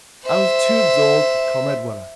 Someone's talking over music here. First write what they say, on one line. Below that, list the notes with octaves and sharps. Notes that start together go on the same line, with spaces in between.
'I was too absorbed with Comrade Waller.
C5 E5